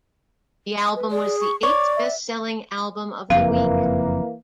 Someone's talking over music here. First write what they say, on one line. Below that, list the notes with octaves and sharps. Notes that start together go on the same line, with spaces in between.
The album was the eighth best-selling album of the week.
B4
G#4 D5
C#6
C#5 D5 D6
E5
F#1 F2 E3 A#3 F5